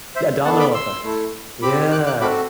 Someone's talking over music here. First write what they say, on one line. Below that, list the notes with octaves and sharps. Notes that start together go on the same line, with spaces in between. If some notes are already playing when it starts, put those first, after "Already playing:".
a domino effect. Yeah.
C5 E5
B3 D4 A4 F#5 A5
B5 D6
C6 E6
A3 E4 A4
C4 G4 B5 D6
D6 F#6
D6 F#6
C4 F#4 A4 B5 D6